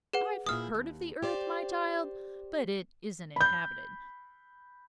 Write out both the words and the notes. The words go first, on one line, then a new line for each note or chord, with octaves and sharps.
I've heard of the Earth, my child, but it isn't inhabited.
G#4 B4 F#5
A#2 E4 G#4 D#6 F6
D#2
G4 C5 D5
B5 G6